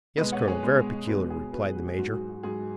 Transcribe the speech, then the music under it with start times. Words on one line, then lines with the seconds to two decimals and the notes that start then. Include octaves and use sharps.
"Yes, colonel; very peculiar," replied the major.
0.17 B2 G#3 B4 D#5
0.32 C#5 F#5
0.48 G#4 C#5
0.63 B2 G#3
1.08 B2 G#3 F#4 B4
1.30 G#4
1.52 B2 G#3 F#4 B4
1.64 G#4
1.76 F#4
1.87 G#4
1.98 G#2 F#3 F#4
2.14 G#4
2.29 F#4
2.43 G#2 F#3 G#4